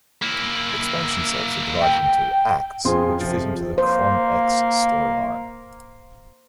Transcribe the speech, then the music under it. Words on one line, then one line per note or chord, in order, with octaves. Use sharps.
Expansion sets are divided into "acts", which fit into the Chron X storyline.
A#3 E4
G5
F2 F4 G#4 C5 C6
F2 C3 F3
A#3 C5